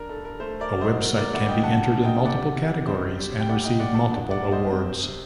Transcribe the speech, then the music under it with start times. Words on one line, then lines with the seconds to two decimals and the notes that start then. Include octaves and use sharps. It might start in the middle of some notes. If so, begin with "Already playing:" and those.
A website can be entered in multiple categories and receive multiple awards.
Already playing: D4 A#4
0.09 G2 A4
0.25 A#4
0.40 A3 A4 C5
0.60 A#4 D5
0.72 F#3
0.81 C5 D#5
1.01 A#3 A#4
1.17 A#4 D5
1.33 D2 D5 F#5
1.48 D#5 G5
1.63 F#3 F#5 A5
1.84 F#5 A5
1.94 D3
2.04 D#5 G5
2.25 C3 D5 F#5
2.56 C3
2.87 C4 C5 D#5
3.18 G3
3.40 G5
3.48 A#2 D5 F#5
3.64 D#5 G5
3.80 A#2 D5 F#5
3.94 F#5 A5
4.11 D4
4.31 D5 F#5
4.41 G3
4.52 C5 D#5
4.72 C4
5.03 C3